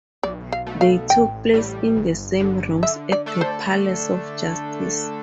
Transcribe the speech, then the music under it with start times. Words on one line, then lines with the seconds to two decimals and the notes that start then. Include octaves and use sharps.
They took place in the same rooms at the Palace of Justice.
0.23 B1 D5
0.52 F5
0.67 B2 A3
0.81 F5
1.10 A1 G5
1.53 A2 G3
1.97 G1
2.40 G2 D3
2.83 D3 E5
3.12 D5
3.26 A3 D4 A4
3.41 C5